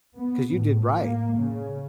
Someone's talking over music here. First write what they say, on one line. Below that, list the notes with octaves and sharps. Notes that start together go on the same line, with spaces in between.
'Cause you did right.
B3
A2
A#3
C#3